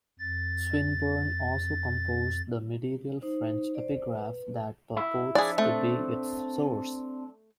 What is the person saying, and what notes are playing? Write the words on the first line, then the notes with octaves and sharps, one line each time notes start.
Swinburne also composed the medieval French epigraph that purports to be its source.
F2 A6
D#4 C5
C5 D5
B4
E4
F3 D4 E4 G#4 D5
A3 C4 D4